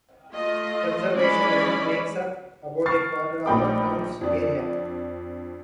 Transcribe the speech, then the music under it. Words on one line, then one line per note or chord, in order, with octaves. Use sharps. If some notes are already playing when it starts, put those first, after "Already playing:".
Conservation land makes up about a quarter of the town's area.
A3 F4 D#5
E3 G#3 C#4 D#4 D5 B5
C#6 F6 A6 C7
A#1 A3 D#4 G5 B5 D6
F2 D4